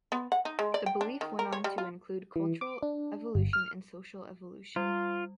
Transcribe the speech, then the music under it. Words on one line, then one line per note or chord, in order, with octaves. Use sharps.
The belief went on to include cultural evolution and social evolution.
B3
F#5
D#4
G#3
D5
G5
D4
D#3
A#4
C#5
G3
F4
E3
D6
D4
G1
F6
G3 F4